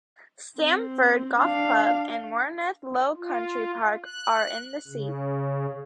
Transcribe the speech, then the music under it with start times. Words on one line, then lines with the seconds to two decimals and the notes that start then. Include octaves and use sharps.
Stamford Golf Club and Werneth Low Country Park are in the seat.
0.58 C4
1.39 D4 F5
3.17 F4
4.05 F#6
4.88 C#3